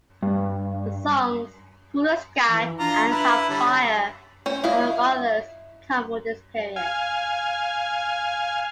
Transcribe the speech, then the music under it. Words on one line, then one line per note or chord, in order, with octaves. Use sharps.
The songs "Coolest Guy" and "Vampire," among others, come from this period.
G2
E3
D4 F4 A#5
D4 E4 B4
D3 G3 C#5
C#4 C5
E4 D#5 F5
F5 G#5